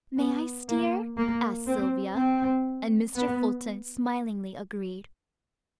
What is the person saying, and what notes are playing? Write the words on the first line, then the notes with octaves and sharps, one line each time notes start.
"May I steer?" asked Sylvia, and Mr. Fulton smilingly agreed.
B3
A#3
A#3
C4
C4
B3